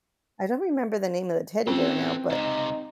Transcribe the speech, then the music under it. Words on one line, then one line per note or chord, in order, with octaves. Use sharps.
I don't remember the name of the teddy bear now, but
E3 C4 C#4 F4 A4
C#2 C3 D#4